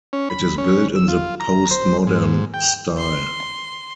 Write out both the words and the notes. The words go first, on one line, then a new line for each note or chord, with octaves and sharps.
It is built in the postmodern style.
C#4
B5
C#4
E6
F4
A#5
C5
G#2
G5
C6